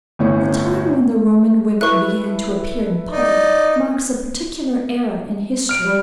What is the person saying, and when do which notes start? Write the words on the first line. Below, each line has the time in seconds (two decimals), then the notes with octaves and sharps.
The time when the Roman women began to appear in public, marks a particular era in history.
0.19 G1 A2 C#4
1.81 E4 A4 B4 C#6 F#6
3.11 D#4 D5
5.69 F6 D7
5.84 G3